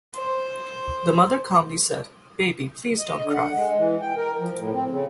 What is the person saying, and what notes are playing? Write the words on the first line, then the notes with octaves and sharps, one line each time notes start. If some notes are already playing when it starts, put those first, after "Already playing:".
The mother calmly said: "Baby please don't cry."
C5
D#5
D3
F#5
G#3
E3
G5
A#4
F3
A2
C4
C#3